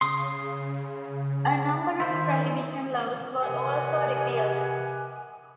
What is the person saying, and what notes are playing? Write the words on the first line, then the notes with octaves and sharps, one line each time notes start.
A number of prohibition laws were also repealed.
C#3 C6 D#6
D#3 E4 C5
C3 G4 A#4 B4 F#5 G#5